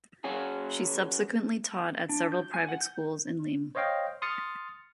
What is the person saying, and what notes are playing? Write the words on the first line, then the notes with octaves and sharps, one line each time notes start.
She subsequently taught at several private schools in Lim.
F#3 C#4 F#4 G#4
D4
G6
G#5
F#5
G6
C5 C#5 D#5 F5 G5
C6 D#6 F6 A6 C#7